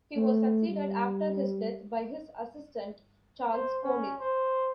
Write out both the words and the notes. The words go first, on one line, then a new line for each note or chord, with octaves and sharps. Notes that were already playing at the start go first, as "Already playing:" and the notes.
He was succeeded after his death by his assistant Charles Konig.
A3
G3
C5
C#4
C5